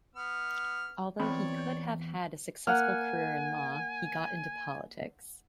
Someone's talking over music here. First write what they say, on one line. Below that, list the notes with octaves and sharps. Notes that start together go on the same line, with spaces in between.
Although he could have had a successful career in law, he got into politics.
B3 F6
E2 C4 C#5 D5 B5
A#3 F#5 G#5 F6